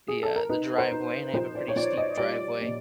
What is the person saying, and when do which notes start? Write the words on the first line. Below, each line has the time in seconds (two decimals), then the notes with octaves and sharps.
the, uh, the driveway, and I have a pretty steep driveway,
0.08 G#4
0.23 A4
0.36 A#4
0.49 D#4 B4
0.78 C5
0.92 D#4
1.33 F3 C5
1.55 D5
1.68 C#5
1.76 F3 D5
1.97 D#5
2.17 G3 D5
2.61 A#2